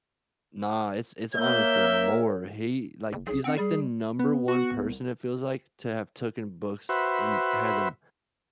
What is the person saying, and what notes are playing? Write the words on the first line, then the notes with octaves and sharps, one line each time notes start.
Nah, it's it's honestly more he like, he's, like, the number one person it feels like to have taken books and had them,
A#3 A#4 C#5 E5 G6
F#1
B1 G#4
C4 F#5
G3 G#4
B3
F#4
C2
F#4 B4 C5 E5